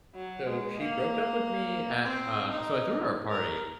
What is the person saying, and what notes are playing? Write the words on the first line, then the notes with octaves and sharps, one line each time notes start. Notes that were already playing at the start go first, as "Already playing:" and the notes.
So, she broke up with me at, uh so I threw her a party,
F#3
G#3
A#3
C4
D#4
A#4